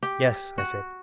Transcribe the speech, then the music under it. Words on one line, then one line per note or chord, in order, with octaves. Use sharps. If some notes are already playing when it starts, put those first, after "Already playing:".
"Yes," I said.
G4
F#4